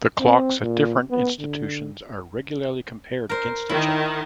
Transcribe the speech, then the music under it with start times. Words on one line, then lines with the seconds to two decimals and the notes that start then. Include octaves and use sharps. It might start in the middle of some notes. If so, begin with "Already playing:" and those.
The clocks at different institutions are regularly compared against each other.
0.20 C4
0.62 A#2
1.10 B3
1.40 D3
3.29 A#4 C5
3.69 D#3 E4